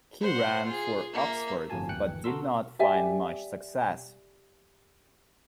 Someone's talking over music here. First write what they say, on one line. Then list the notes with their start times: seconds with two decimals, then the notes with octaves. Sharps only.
He ran for Oxford, but did not find much success.
0.21 C5 F#5
0.66 F4 G#4
1.13 A#3 E5
1.70 G1 F2 A2 F#4 G#5 A5
1.89 D#2 G5 F#6 C#7
2.08 G1 E3
2.24 F#4 A4 A#4 C6 E6
2.79 G4 D5 E5 G#5